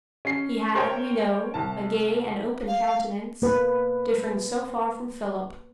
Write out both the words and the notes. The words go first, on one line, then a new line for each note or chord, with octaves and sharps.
He had, we know, a gay and open countenance, differing so far from Philip.
C#4 C7
A#4 C5 C#5 G5
C2 A5
F5
A#3 B4